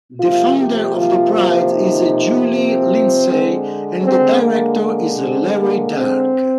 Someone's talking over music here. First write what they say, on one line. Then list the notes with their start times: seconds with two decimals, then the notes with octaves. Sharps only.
The founder of the prize is Julie Lindsey, and the director is Larry Dark.
0.20 C3 F3 A#3 F4
0.58 G4
0.97 F4
1.35 F4
1.74 D#4
2.50 C4
3.27 D3 G#3
4.04 C4
4.43 A#3
4.81 A#3
5.20 C4
5.58 A#3
5.97 C4